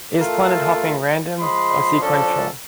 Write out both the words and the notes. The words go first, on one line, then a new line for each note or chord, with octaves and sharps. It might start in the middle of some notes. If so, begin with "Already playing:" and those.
Is planet hopping random, or sequential?
A3 F4 A4 A#4
F3 G#3 B5 C6
F3 C#4 D4 F4 A4